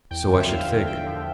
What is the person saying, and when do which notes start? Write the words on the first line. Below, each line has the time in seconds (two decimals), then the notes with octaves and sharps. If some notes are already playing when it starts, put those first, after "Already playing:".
"So I should think."
0.11 E2 G5
0.30 D3 F3
0.40 E5
0.49 E2 F5
0.68 D3 F3
0.87 E2 G5
1.06 D3 F3